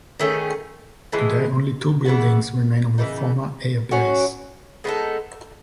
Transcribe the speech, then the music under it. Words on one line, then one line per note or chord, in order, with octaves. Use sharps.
Today only two buildings remain of the former Air Base.
D#3 A3 C#4 G#4
A2 E3 G#3
C#3 E3 B3 F#4
C#3 E3 B3 D#4
B2 F#3 C#4 F#4
G#3 B3 D#4 A4